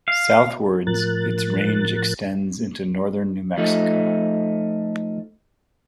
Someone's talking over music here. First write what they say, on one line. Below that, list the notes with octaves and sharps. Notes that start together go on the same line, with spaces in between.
Southwards, its range extends into northern New Mexico.
F5
A2 F3 A#4 F#6 A6
F3 A3 D#4